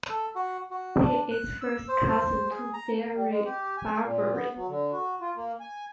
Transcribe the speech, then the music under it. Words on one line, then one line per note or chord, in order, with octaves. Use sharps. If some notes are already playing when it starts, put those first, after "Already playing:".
He is first cousin to Barrie Barbary.
A4
F#4
F#4
D4
F#6
E6
C5
C5
G#4
A#5
G3
G#3
G4
G#5
A#2
B3
F#3
D3
F#4
F4
A#3
G#5